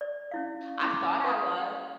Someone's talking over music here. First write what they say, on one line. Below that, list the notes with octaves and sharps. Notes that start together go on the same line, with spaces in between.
I thought I was.
D5
C#4 E4 F5
C#4 E4 D6
B4 F5 F#5 C6 D#6
G5